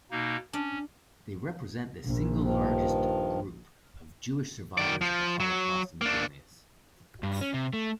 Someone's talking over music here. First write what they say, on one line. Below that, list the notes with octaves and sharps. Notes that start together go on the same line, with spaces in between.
They represent the single largest group of Jewish survivors of the Holocaust in Vilnius.
B2 A#3 D#4
C#4 D4
A#1
G2 D#3 F3
D#3 D5
F3
F#3
A#3 D4
G2
C#4
C3
A3